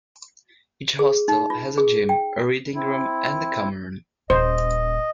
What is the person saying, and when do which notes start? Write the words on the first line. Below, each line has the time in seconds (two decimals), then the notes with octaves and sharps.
Each hostel has a gym, a reading room and a common room.
0.99 G#4
1.28 D#4
1.50 F4
1.78 G#4
2.09 G5
2.75 C4 E4
4.30 D#1 C#4 C5 D#5